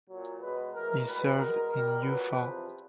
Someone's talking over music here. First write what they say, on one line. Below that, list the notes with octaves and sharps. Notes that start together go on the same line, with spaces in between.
He served in Ufa.
A#2 F#3
B2 G#3 B4
A2 E3 G#3 A#4
B2 G3 B4
B2 G#3 A#4
B2 G3 A#4
A#2 F#3 B4
E2 C3 F3